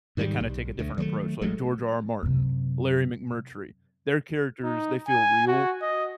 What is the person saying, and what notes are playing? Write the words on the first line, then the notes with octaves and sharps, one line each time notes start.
that kinda take a different approach, like George R. R. Martin, Larry McMurtry. Their characters; they feel real,
G#2 D#3 E3 G3
B1
D2 A3
D#3 F#3 G#3 A3
A1 F#3 G#3 A3
F#2 C3
D#4
G#5
F#4
D#5